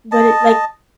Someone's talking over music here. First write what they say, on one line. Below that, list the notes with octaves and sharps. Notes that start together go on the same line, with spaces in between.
but it, like
D#5 A5